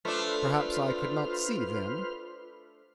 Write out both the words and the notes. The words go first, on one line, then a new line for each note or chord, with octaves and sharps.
Perhaps I could not see then.
A3 D4 F4 B4 C5 F6